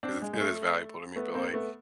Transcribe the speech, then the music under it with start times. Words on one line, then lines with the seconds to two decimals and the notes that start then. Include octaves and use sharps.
'cause it's it is valuable to me, but, like,
0.03 C4 D4
0.22 G#3
0.33 G#3
0.41 A3
1.16 A3 B3
1.35 A#3 C4
1.54 A3 B3